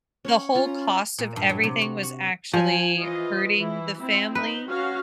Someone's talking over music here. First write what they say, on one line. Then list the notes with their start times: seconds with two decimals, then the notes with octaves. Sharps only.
the whole cost of everything was actually hurting the family
0.25 C#4 C#5 C#6
0.55 C#4 F4 A#5
1.18 A#2
1.36 G2
1.49 F#3
1.64 C3
1.81 F#4
2.03 F#4
2.53 F3 G#5
3.00 E3 F4 D#5
3.56 E3 E4
3.99 C4 E4
4.35 D#4 B4
4.68 C#4 F#4 F5